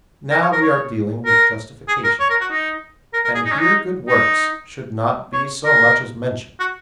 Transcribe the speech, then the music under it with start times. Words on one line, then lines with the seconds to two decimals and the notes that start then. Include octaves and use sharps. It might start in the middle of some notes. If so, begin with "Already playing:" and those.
Now we are dealing with justification, and here good works should not be so much as mentioned.
0.31 A#4
0.42 C#5
0.52 A#4
0.62 C#5
1.25 A#4
1.88 G#4
2.04 A#4
2.20 C#5
2.30 A#4
2.41 F#4
2.51 D#4
3.13 A#4
3.24 A#4
3.35 G#4
3.45 D#4
3.52 C#4
3.59 D#4
4.08 D#4
5.33 C#5
5.65 A#4
6.59 F#4